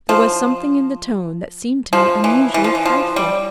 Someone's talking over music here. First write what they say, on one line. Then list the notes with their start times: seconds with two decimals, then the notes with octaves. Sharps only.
There was something in the tone that seemed to me unusually frightful.
0.09 F3
1.93 F3
2.24 E3
2.54 E3
2.64 F3
2.75 E3
2.85 F3
3.16 G3